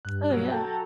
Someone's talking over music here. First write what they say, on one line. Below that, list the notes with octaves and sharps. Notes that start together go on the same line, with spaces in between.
Oh, yeah.
G2 F#6
B2 F#3
F#3 A4 G5 A5 A#5